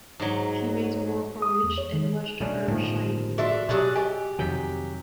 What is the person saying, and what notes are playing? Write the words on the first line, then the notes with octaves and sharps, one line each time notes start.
He made more porridge and watched her shyly.
G#2 F#3
D#6
E2
C#5
D#3
B2 G3 A3 C#4 D4
G1 A2 D#3 F3
A3 D4 F#4 G#4 E5
B2 F#3 D4 G4 G#4 D5 F#6
G4 G#4 D#5 G#5
F2 C3 D#3 F#3 G#5 G6 B6